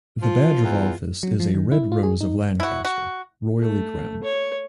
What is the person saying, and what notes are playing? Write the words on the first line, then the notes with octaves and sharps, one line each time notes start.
The badge of office is a red rose of Lancaster, royally crowned.
F3 F4
E2
F#3
F3
D#3
E4
F4
G#4
D#4
E4 F#4
F#4
A3
C#5